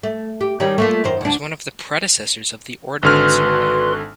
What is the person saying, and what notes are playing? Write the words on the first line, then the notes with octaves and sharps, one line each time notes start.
It was one of the predecessors of the Ordnance Survey.
A3
G4
D#3 G3 C#4
A3 A#3 F4
F#2 D#3 C5
D2 D4
G#1 D3 F#4 B4 C6 F6